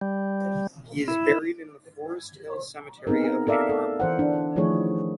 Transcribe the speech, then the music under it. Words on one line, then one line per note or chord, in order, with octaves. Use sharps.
He is buried in the Forest Hill Cemetery of Ann Arbor.
G3
E4
B3 C4 D#4 G#4 A#4
A4 A#4 D5 E5 F5
A4
E3 C5 F#5
D4
D#3 F3 A3 E4 G#4 C#5